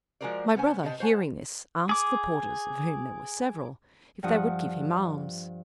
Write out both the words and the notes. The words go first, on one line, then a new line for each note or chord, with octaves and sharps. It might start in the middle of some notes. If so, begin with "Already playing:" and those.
My brother, hearing this, asked the porters, of whom there were several, if they would give him alms.
F3 G#3 F#4 A#4 C5 D5
C#3 B3 C#4 C5 G#5
C3 G4 C5 D#5 A5
C5 C#5 F#5 G#5 A5
G#4 D6
G2 F3 F#5 D#6